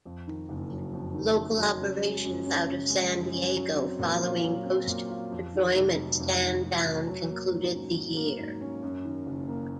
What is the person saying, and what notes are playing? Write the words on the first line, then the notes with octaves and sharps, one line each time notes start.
Local operations out of San Diego, following post-deployment stand-down, concluded the year.
F2
D#3
F#1
F#3
F2
D#3
F#1
F#3
C#3
G#3
F#2
C#4
C#3
G#3
F#2
C#4
F#3
C4
A#2
F4
F#3
C4
A#2
F4
F2
D#3
F1
F#3
F2
D#3
F1
F#3
F#3
A#3
G#2
C#4
F#3
A#3
G#2
C#4
F#2
D#3
F#1
A#3